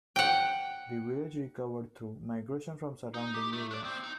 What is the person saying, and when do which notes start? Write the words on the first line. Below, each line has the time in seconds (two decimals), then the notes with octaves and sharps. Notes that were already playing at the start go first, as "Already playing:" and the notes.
The village recovered through migration from surrounding areas.
0.16 F#5 G5
3.14 D#4
3.34 G4
3.53 A3
3.71 D4 D5
3.84 A2 C4
4.03 D#4